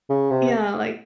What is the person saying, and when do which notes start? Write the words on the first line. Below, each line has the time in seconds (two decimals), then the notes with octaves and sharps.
yeah, like
0.09 C#3
0.31 C3